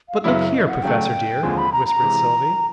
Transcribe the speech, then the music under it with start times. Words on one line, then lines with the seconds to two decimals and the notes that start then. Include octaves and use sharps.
"But look here, Professor dear!" whispered Sylvie.
0.09 F5
0.24 F#2 C#3 F#3 B3 E4 E5
0.54 D#5
0.69 F#5
0.83 C#3 F#3 A3 G5
1.43 D#2 D3 F3 G#3 C4 G#5
1.58 B5
1.72 A#5
1.87 A#5
2.03 C3 E3 G#3